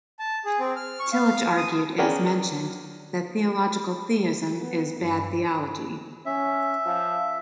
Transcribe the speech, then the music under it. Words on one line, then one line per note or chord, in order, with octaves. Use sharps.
Tillich argued, as mentioned, that theological theism is "bad theology".
A5
G#4
C4
F6
C#6
F5
D#6
B3 C#4 G#4 A#4 D5 G5
B3
G2
C#4 E5
F3